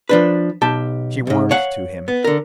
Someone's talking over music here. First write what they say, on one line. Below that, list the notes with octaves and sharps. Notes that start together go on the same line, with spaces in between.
She warmed to him.
F3 D4 B4
B1 G4 A5
D2 G#2
C#5 F5 F#5
B3
D3 A#4